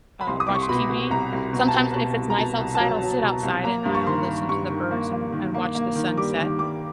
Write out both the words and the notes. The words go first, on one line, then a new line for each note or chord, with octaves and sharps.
uh, watch TV. Sometimes if it's nice outside, I'll sit outside and I'll listen to the birds and and watch the sunset.
B5
C2 C6
D#6
C2 D6
C#6
C6
B2 B5
B2
C2 A#5
C2
B2
A5
B2
B2
C2
A#5
B2 A5
C2
A5
F#3 A#5
F#3
B2
C2
A#3 A#5
G2
C#6
D#3 C6
D#3
G2 C#6
D#3
A#3
A#3
D#3
A#3
A#3
D#3
G3 D6
D#3
G3 D6